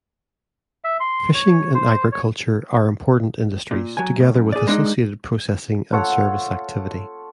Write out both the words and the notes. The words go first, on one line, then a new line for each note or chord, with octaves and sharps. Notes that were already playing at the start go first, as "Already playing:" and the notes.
Fishing and agriculture are important industries, together with associated processing and service activity.
E5
C6
C#5
C5
C#5
A#2
F#3 G#5
A2
F#2
G#4 D5
G#3 D4 D#4
F4 A4 C#5 F#5